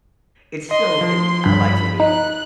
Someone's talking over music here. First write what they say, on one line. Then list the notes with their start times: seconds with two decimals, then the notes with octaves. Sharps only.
it's still u I like San Diego.
0.71 D#5 C6
1.01 F3
1.46 G2 B5
2.00 D#4 F#6